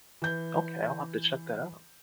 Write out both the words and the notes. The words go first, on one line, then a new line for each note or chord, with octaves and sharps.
Okay, I'll have to check that out.
E3 G6